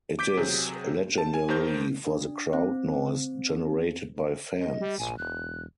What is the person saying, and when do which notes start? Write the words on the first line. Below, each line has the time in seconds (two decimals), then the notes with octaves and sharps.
It is legendary for the crowd noise generated by fans.
0.19 D6 G6 B6 D7
0.37 C3 F#3 G#4
1.18 A5
1.34 G#5
1.48 D#2 D#3 A#4 C5 G6
2.07 D4
2.53 C4
4.59 D#5
4.80 G3
4.98 A#1 G#5
5.18 E1 F#6